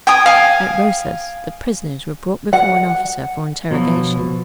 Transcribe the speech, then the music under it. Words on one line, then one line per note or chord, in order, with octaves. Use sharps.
At Rosas the prisoners were brought before an officer for interrogation.
G5 G#5 D#6
F5 G#5
F#5
B2 F3 F#3